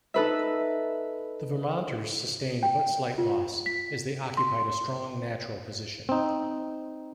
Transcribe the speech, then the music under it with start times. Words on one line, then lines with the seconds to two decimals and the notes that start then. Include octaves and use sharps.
The Vermonters sustained but slight loss, as they occupied a strong, natural position.
0.14 D#4 A4 B4 E5
2.63 G5
3.18 F4
3.66 B6
4.37 C6
6.09 C4 D#4